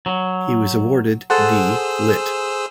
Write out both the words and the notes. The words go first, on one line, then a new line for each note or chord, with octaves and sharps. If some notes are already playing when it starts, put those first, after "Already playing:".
He was awarded D. Litt.
F#3
G#4 A4 C5 F#5 C6 E6